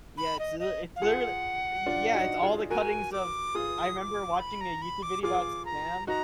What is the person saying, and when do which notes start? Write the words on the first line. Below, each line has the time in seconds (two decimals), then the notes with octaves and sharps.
Yeah, it's l it's literally yeah, it's all the cuttings of I 'member watching a YouTube video about Spam.
0.17 B5
0.39 D#5
0.60 D#5
0.96 F5
1.02 F4 G#4 F#5
1.86 D4 F4
2.14 D#4 F#4
2.43 F4 G#4
2.70 F#4 A#4 G#5
3.12 D6
3.55 F4 G#4 D#6
3.98 D6
4.39 B5
4.61 A#5
4.82 B5
5.03 D6
5.23 F4 G#4 D6
5.65 A#5
6.07 D#4 F#4 A#5